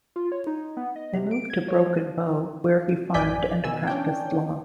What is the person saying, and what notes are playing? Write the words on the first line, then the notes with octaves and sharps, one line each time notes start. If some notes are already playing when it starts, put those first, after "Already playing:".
They moved to Broken Bow where he farmed and practiced law.
F4
C#5
D#4
B3
D#5
C3
D7
G#6
C#5
F3
A1 F#2 D5 G#5 G6 B6
B2 D#3 G#5 E6
C#4 D4 G5